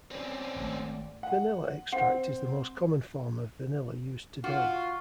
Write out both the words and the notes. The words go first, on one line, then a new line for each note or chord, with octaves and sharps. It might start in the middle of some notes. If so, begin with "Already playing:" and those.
Vanilla extract is the most common form of vanilla used today.
C4 C#4 D5
G#1 A3
F#5
C4 F#5
F4 F#4